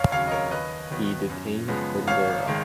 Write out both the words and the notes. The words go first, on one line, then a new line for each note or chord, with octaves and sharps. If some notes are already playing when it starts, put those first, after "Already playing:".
He detained the girl.
Already playing: F1 C#5 F5
D#2 C#3 F#3 C#5 F5
D#5
A#4 C#5
D#2 B4 D#5
D#3 F#3 B3
F#2
C#3 F3 G#3 B3
G#1 C#5 F5
D#3 G#3